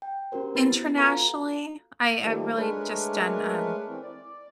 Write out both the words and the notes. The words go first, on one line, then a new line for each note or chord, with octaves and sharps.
internationally, I I really just done, um,
G5
C#4 F#4 G4 A#4 C5
B3 E4 B4 B5 A6 C7
F4 F#4 A4 F5 A#5
D#3 F3 G3 A3 A#3
G#3 A3 D4 A#4 B4 C#5
E3 C4
D5